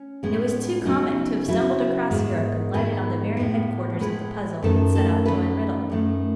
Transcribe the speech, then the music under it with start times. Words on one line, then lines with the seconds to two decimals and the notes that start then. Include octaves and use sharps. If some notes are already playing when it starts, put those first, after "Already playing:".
It was too comic to have stumbled across Europe and lighted on the very headquarters of the puzzle we had set out to unriddle.
Already playing: C#4
0.23 A2 G#3 B3
0.85 C#3 F#3 B3 D#4
1.48 C#3 F#3 B3 E4
2.11 G#2 D#3 G#3 B3
2.74 G#2 D#3 G#3 B3 B4
3.37 A2 G#3 B3
4.00 A2 G#3 B3 B4
4.63 F#2 D#3 A3 A4
4.95 A4
5.25 F#2 D#3 A3 B4
5.90 F#2 D#3 A3